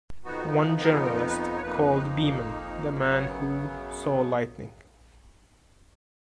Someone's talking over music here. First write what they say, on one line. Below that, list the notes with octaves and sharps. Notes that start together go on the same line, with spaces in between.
One journalist called Beamon the man who saw lightning.
F2 F3 B3 D#4 F#4
A#4
G#4
A#4
B4
B4
C#5
F2 F3 A#3 D#4 B4
F#2 C#3 F#3 B3 C#5